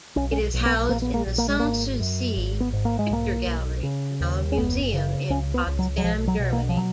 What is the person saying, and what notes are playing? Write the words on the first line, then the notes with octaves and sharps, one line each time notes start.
It is housed in the Sanssouci Picture Gallery, now a museum, in Potsdam, Germany.
B1 C#4
C#4
B1
B3
A#1 A#3
B3
A#3
A#1
A#3
G#3
G#1 A#3
F#2
G#1
B3
G#2
A#3
G#3
B1 A#3
B1
C#3
D#2
C#4
F#1 B3
C#3
C#2 C#4
B3
C#2
F#3
F#3
B1 F3
F#3
B2
A#3
F3
F#3